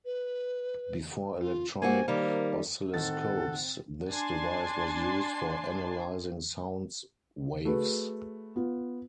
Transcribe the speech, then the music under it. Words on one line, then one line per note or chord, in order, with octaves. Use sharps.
Before electronic oscilloscopes, this device was used for analyzing sounds waves.
B4
F4
A#3 C4 F#4 C5 G#5
D#3 G3 A#3
A2 D#3 C4 A4 F#5 A6
D4 G#5 A5 C6
A3 F#4 G#4 B4
B3 F4